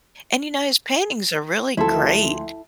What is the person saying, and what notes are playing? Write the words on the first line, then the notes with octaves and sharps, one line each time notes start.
And, you know, his paintings are really great.
D2 F3 E4 A4 C6